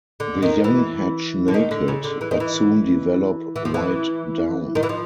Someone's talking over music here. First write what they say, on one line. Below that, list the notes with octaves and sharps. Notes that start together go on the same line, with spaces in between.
The young hatch naked, but soon develop white down.
D3
D#3
E3
D3
D#3
D3
C#3
D3
E3
D#3
E3
E3
F3
E3
D#3
E3
F3